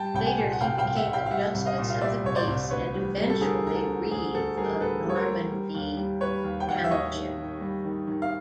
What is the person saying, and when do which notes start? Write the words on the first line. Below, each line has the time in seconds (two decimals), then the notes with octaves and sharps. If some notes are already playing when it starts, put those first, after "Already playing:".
Later he became a Justice of the Peace and eventually, Reeve of Normanby Township.
Already playing: G3 G5 A5
0.14 C2 G5
0.25 F#5 G#5
0.38 A#2
0.52 F#5
0.61 C2 F5 G5
0.78 F5 G5
0.85 C2
0.96 E5 F#5
1.07 C2
1.13 F5 G5
1.26 F5
1.30 G3 E5 F#5
1.54 C2
1.65 D#5 F5
1.78 A#2
1.90 F5
2.01 G3 D5 E5
2.24 C2 C#5
2.35 C5 D5
2.47 C2
2.70 D2 B4 C#5
2.94 G3
3.18 G3
3.29 A4
3.40 D3 G#4 A#4
3.64 D2 A#4
3.75 A4
3.87 D3
4.11 D2 G#4
4.35 D2 A4
4.57 G3 G#4 A#4
4.80 D2 A4 B4
5.04 G3
5.09 C#5
5.15 A#4 C5
5.27 G3
5.51 G3
5.74 D#2
5.97 G3
6.21 G3 B4 C#5
6.44 D#2
6.60 G5
6.68 D#2 F#5
6.76 F5
6.84 E5
6.90 D#2 C#5 D#5
7.14 D#3
7.38 D#3
7.61 G3
7.84 D#3
8.07 D#3
8.22 F5